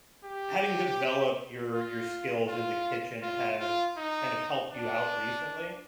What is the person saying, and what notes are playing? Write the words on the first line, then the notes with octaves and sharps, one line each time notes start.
having developed your your skills in the kitchen have kind of helped you out recently?
G4
F4
F4
F4
F4
D#4
D4